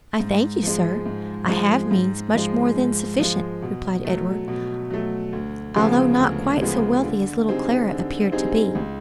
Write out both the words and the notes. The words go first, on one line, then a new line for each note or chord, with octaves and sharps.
"I thank you, sir, I have means, much more than sufficient," replied Edward, "although not quite so wealthy as little Clara appeared to be."
G#2
F3 G#3
G#2
F3 G#3
G#2
F3 G#3
G#2
F3 G#3
B2
F#3 A3
B2
F#3 A3
D2
C#3 F3 G#3 B3
D2
C#3 F3 G#3 B3
D3
G3 C4 D#4 G#4
D3
G3 C4 D#4 G#4
C#2